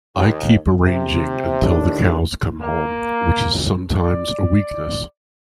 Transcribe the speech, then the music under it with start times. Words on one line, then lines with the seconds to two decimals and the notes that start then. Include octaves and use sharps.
I keep arranging until the cows come home, which is sometimes a weakness.
0.16 D#2
0.84 C3
1.62 D#2 A2 D4
2.62 A#3
3.98 D5